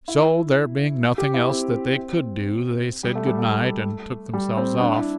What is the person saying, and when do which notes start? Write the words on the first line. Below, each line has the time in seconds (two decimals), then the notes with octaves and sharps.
So, there being nothing else that they could do, they said good-night and took themselves off.
0.08 E4
1.18 G4
1.34 E4
1.49 C4
3.03 G3
3.15 A3
3.27 G3
3.38 A3
4.33 G3
4.57 C4
4.80 D4
4.96 E4